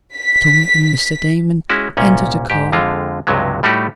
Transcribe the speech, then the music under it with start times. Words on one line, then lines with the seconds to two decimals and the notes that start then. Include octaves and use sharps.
Tom and Mr. Damon entered the car.
0.17 B6
1.70 G#3 C#4 E4 F#4
1.97 C2 A#2 C#4
2.50 G#2 G4
2.72 F2 D3 G#3 F4
3.27 C#2 G2 C3 F#3 G#3
3.63 A2 G3 A3 D#4 F#4 G4